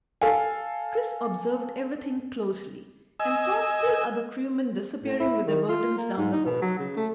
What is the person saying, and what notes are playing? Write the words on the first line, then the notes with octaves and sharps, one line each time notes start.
Chris observed everything closely, and saw still other crewmen disappearing with their burdens down the hold.
A4 F5 G#5
D#5 G#5 E6
A2
E4
D#3
F4
A#3
G#2
D#4
B2
F#3
C#3
A3